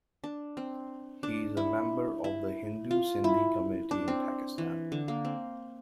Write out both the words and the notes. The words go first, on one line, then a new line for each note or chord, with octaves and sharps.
He is a member of the Hindu Sindhi community in Pakistan.
D4
C4
D4
E4
E4
F4
E4
D4
C4
E3
D3
A#3
C4